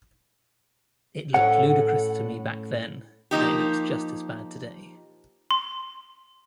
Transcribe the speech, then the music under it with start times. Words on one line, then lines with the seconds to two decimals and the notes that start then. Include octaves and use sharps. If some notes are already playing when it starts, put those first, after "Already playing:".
It looked ludicrous to me back then and looks just as bad today.
1.34 A2 C#4 F#5
3.31 F3 A#3 D#4 G4
5.51 C6